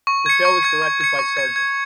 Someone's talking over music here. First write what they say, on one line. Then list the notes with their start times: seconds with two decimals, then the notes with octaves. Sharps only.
The show was directed by Sgt.
0.07 C#6
0.26 G#6 C#7
0.45 C#6
0.63 G#6 C#7
0.82 C#6
1.01 G#6 C#7
1.19 C#6
1.37 G#6 C#7
1.56 G#6